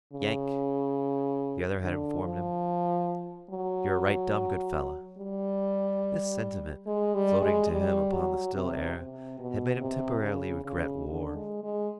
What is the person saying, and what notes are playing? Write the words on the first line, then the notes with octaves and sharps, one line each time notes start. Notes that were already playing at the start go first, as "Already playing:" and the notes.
"Yank," the other had informed him, "yer a right dum good feller." This sentiment, floating to him upon the still air, had made him temporarily regret war.
C#3
D3
F3
F#3
G3
G#3
G3
G#3
G3
F#3
C3
C3
B2
C3
C#3
C#3
D3
G#3
G#3